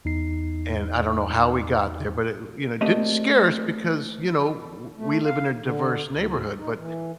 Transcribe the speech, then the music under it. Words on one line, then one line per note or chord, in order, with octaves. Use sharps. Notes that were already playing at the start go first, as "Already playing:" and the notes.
and I don't know how we got there, but i it, you know, didn't scare us because, you know, w we live in a diverse neighborhood, but
E2 D#4 C7
A3 A#3 C4 D4 G4 D#5
A3
F5
D3
D2
D#4
E3